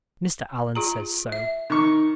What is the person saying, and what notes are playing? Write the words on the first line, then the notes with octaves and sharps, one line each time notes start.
Mr. Allan says so.
F4 G#4 A#5
E5
D#3 C#6